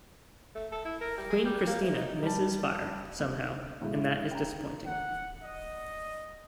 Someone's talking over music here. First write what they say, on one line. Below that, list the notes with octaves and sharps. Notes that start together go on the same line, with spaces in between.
"Queen Christina" misses fire, somehow, and that is disappointing.
A3
A4
E4
A#4
G3
G#4
G3
A#3
E3
D#4
G3 A5
D2 G4
A2 C#3 G#3 A3 E4
G5 A#5
F#5
D#5